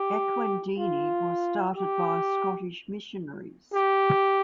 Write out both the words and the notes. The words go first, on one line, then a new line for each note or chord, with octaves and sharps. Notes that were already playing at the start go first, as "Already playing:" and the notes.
Ekwendeni was started by Scottish missionaries.
Already playing: G4
F4
G4
G4